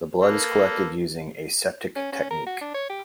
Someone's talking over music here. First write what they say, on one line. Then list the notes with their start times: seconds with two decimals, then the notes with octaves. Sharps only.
The blood is collected using aseptic technique.
0.22 A#3 A4 B4
1.96 C#4
2.12 C#4
2.31 A#4
2.47 F#4
2.61 D4
2.74 C#5
2.90 G4